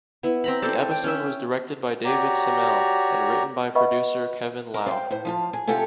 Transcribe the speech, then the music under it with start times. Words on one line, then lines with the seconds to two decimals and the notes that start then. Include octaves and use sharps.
The episode was directed by David Semel and written by producer Kevin Lau.
0.23 B3 E4
0.44 C4 A#5 B5
0.62 A4 C5 D5
0.91 G5
1.04 C#4 E5
2.05 F#4 G4 C#5 D5 A#5
3.75 B4 D#5 E5 F#5 B5 C#6
4.74 A#4
4.86 C5 D5 E5 F5 G5
5.11 A2 C5
5.25 F3 F4 A5
5.53 G#4
5.67 C3 F4 G4 A4 F#5 G#5